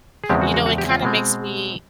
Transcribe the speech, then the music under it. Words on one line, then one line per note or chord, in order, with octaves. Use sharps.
You know, it kinda makes me
G#4
E2 C#3 F3 G#3 C4 G4
F#4
F#4
F#4
G4
F4
B2 G#3 C4